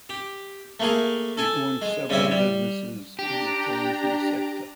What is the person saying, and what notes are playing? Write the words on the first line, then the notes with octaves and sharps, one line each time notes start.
He owns several businesses in the tourism sector.
G4
A3 A#3 G#4
A4 G#5 A5
G#3
C#3 G3 C4 E5 G#5
G3
D4 G4 A#5